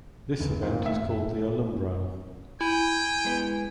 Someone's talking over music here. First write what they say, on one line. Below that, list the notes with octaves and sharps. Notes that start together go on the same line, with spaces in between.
This event is called the "alumbrao".
F1 D#2 D3
F2 A#2 D#3
A3 E5
F2 D4
E4 G5 G#5
G#3 B3